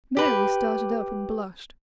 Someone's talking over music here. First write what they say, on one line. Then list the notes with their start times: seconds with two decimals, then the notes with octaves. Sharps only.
Mary started up and blushed.
0.17 G4 B4